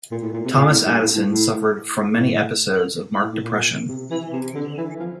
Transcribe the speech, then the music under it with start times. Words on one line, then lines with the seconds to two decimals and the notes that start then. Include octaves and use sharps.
Thomas Addison suffered from many episodes of marked depression.
0.11 A#2
0.23 A2
0.33 A#2
0.45 C3
0.56 A#2
0.71 A2
0.86 G2
1.00 A2
1.15 A2
1.30 A2
2.11 A2
3.22 A2
3.33 A2
3.44 A#2
3.55 A#2
3.88 C3
4.10 E3
4.33 C3
4.55 D3
4.77 E3
5.00 F3